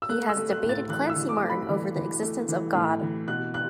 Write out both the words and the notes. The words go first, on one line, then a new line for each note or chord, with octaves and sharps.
He has debated Clancy Martin over the existence of God.
E6
A3 F#6
E6
A3
F#6
A2
A6
E3 F#6
E6
E3
D6
A3
B5
E3
E3
A3
E3
A2
E3
B2 F#6
F#6